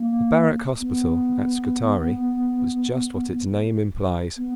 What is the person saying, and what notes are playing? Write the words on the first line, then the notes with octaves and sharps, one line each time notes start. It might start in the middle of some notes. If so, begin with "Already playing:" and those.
The Barrack Hospital at Scutari was just what its name implies.
Already playing: A#3
B3
B3